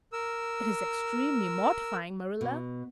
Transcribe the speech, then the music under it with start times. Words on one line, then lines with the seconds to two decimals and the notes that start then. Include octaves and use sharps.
It is extremely mortifying, Marilla.
0.13 A#4 E6
2.41 B2